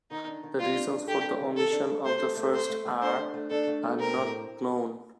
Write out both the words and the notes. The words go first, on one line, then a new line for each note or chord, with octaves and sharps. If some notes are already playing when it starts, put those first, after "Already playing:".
The reasons for the omission of the first "r" are not known.
D#3 D#4
D4
D#3
G3 F4
D4
D4
G4 A4
G3
D#3
D#3 A4
D4
A4
A3 C5
A4
A3
A3 C5
A3
A3
D4 C5
D4
A3
D4 A4
A3
A3
C4 A#4
A2
C4